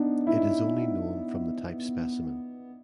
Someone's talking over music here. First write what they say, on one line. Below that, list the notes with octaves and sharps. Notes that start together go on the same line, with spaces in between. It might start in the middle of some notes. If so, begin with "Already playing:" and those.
It is only known from the type specimen.
Already playing: B3 D4 D#4
E4
D#4